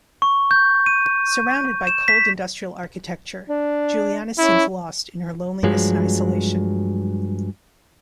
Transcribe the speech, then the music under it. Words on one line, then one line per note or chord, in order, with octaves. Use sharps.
Surrounded by cold industrial architecture, Giuliana seems lost in her loneliness and isolation.
C#6
G6
D#7
E7
B6
D4
C#4 E4
G2 F3 F#3 G#3